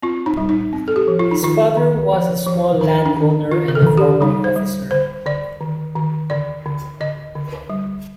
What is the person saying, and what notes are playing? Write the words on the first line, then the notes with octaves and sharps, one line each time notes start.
His father was a small landowner and a former officer.
C4 F4
D#4
G3
D#4
C4
A4
G4
F3
F4
D#4
D#3 F4
D#3
F3
F3
D#3 D#4
D4
D#3
D#3 F4
A#4
A4
D#3
G4
G3 D#4
C5
G3
D3 C5
D3 D5
D#3
D#3
D3 D5
D3
D3 D#5
D3
G3